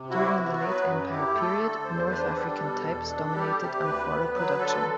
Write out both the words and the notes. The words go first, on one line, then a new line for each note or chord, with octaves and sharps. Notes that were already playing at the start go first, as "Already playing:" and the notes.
During the late empire period, north-African types dominated amphora production.
Already playing: C3
E4 F#4
B3
F#4
F#3
B4
F#2
E4 G4
A3 A4
D3
E2 C5
D4 B4
C5
B4
G3 A4
B2
E2
D4
G3 G4
C3 G4
D2 B4
B3
F#3 B4
D3 A4